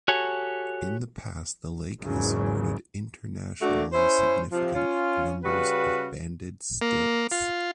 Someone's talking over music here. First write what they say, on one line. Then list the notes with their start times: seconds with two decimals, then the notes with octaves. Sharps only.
In the past the lake has supported internationally significant numbers of banded stilts.
0.08 F#4 G4 A4 C#5 G#5
2.01 G#1 E2 G#2 C#3 F#3 G#3
3.62 D2 A3 A#3 D4 F#4
3.93 C#4 E4 C5
4.52 C3 F3
4.74 C#4 F4
5.44 C#3 G3 F#4 B4
6.81 A#3
7.31 F4